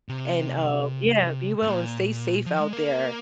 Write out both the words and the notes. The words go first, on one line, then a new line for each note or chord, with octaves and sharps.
and, uh, yeah, be well and stay safe out there.
C3
G#2
A#2
F3
G#3
A#3